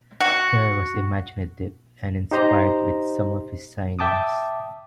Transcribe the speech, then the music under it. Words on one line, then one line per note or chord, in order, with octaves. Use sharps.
Kerr was imaginative and inspired with some of his signings.
F#4 F#5
D#4 G4 C5 D#5 A#5
E5 G5 A5 D6 D#6